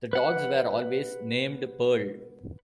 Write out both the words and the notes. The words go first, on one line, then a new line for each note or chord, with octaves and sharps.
The dogs were always named Pearl.
B4 F#5 F#6